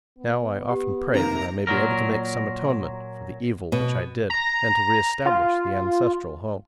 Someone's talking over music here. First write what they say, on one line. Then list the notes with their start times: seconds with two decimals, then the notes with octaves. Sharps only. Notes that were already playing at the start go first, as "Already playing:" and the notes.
Now I often pray that I may be able to make some atonement for the evil which I did, and to reestablish the ancestral home.
0.19 B3
0.70 G4
1.15 C3 D#3 A#3 A#4 A#5
1.67 A#2 F#3 A#4
3.72 B2
4.30 A#5
5.26 F4